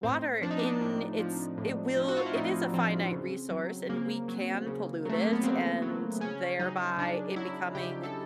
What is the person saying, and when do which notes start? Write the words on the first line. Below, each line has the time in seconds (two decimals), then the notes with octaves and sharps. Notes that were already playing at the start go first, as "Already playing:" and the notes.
water in it's it will it is a finite resource, and we can pollute it, and thereby it becoming
0.03 A2 C4
0.42 F3 D4
0.51 D#4
0.59 D4
0.81 A2
1.19 F3
1.58 A2
1.97 F3
2.08 F#4
2.17 F4
2.26 E4
2.35 A2 D#4
2.73 F3 C4
3.12 C#3
3.51 F#3
3.89 C#3 A#3
4.28 F#3
4.67 C#3
5.05 F#3 A3
5.20 A#3
5.33 B3
5.43 C#3 C4
5.82 F#3
6.20 C#3 C#4
6.59 F#3 D#4
6.98 C#3 D4
7.36 F#3 E4
7.75 C#3 G4
8.03 A4